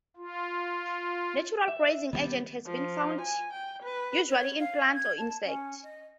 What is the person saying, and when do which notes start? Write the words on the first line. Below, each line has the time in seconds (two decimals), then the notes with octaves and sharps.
Natural glazing agents have been found, usually in plants or insects.
0.17 F4
1.68 E5
2.13 D#3 E3 G3 B3
2.66 F3
3.21 G#5
3.53 G5
3.83 B4
4.29 C#5
4.59 F5
4.94 G#6
5.18 A5
5.45 C#4
5.83 D#5